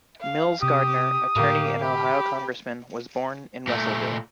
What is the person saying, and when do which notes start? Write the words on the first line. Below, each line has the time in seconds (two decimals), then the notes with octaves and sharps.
Mills Gardner, attorney and Ohio congressman, was born in Russellville.
0.20 F5
0.63 C3 G4 D#6
1.36 A2 D3 A#3 G4
1.80 G4 B5
3.67 A#2 A3